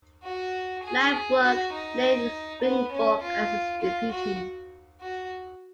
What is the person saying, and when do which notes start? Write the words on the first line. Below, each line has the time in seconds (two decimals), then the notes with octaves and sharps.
Langbroek named Springborg as his deputy.
0.24 F#4
0.83 G#4
1.43 F#4
1.73 D#4
2.62 B3
2.92 C#4
3.22 F4
3.82 F4
4.11 F#4
5.01 F#4